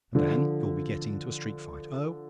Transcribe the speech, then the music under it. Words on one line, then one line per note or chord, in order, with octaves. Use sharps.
And then you'll be getting into a street fight--oh!
D3 F3